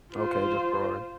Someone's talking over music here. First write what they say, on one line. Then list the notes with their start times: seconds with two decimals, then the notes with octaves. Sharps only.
Okay, just roar.
0.13 F4 C5